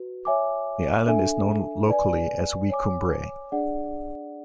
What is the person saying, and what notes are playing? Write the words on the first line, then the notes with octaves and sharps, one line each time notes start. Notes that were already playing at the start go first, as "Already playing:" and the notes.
The island is known locally as Wee Cumbrae.
Already playing: F#4 B4
C#5 E5 G#5 D6
D4 A4 E5 G#5
B4 D5 G#5
C#5 G#5 D6
D4 G#4 D5 F#5